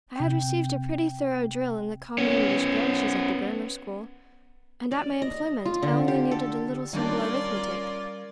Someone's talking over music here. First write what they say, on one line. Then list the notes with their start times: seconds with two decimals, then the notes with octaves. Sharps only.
I had received a pretty thorough drill in the common English branches at the grammar school, and at my employment I only needed a little simple arithmetic.
0.16 C3 G5
2.18 B3 C#4
4.91 D5
5.22 D#5
5.65 F4
5.83 D3
6.08 G4
6.31 A4
6.93 D#3 G3 C#4 D4 F4 A#4 D5